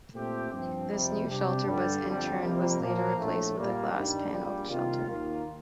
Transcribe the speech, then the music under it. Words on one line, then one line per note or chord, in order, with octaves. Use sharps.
This new shelter was in turn was later replaced with a glass panelled shelter.
A#2 A3 C4 G4
G2 F3 C4
F2 C3 G3
C3 G3 D4 G4
G2 D3 G3
G1 F2 D3 G3
F2 C3 G3 A#3
A#2 F3 A#3
A#1 A2 A3
A#2 G3 A#3
G2 D#3 G3
A#1 A#2 G3
C2 C3 D#3 A#3 F4
D#2 D#3 A#3 F4